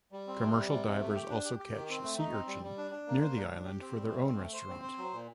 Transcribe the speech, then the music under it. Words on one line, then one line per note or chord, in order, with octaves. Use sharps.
Commercial divers also catch sea urchin near the island for their own restaurant.
G3
C4
C3
G3
C3
C3
A3
G4
D4
G4
G4
D#3
C4
A3
D#4
C4
G3
G3
D4
D4
A#3
C5
D4
D4
G4
C4
G3
A3
C4
A3
C5
C4
C5
F#3
A#2